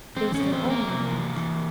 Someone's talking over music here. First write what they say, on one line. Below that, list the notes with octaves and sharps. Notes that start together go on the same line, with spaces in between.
But it was for only a moment.
E3 C4 C5
C#4 C#5
E3
C4 C5
A3
A#3 A#4
C3
E3
E3